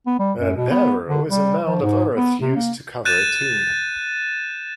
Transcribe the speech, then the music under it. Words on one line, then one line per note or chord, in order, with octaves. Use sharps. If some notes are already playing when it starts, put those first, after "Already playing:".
A barrow is a mound of earth used to cover a tomb.
B3
G3
F#2
B2
B3
D3
G3
F3
G#2
B3
C3
A#3
F#6 G6 A6 D#7 E7